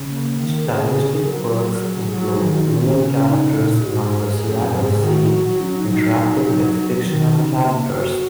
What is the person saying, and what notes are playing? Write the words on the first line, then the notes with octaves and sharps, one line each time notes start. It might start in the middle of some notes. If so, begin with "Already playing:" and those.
Stylistic quirks include real characters from the Seattle scene interacting with fictional characters.
Already playing: C#3
A#3
D#3
A#4
C#3 G#4
F#3 A#4
G#4
F#3
D#3 F#4
D#4
C#4
C#4
C#3
C#4
D#4
A#2
G#4
G#2 F#4
G#4
G#4
F#2
G#2 G#4
D#3 F#4
F#3
C#4
D#4
F#3 D#4
F#3
D#4
D#3 D#4
C#3
A#3
F#4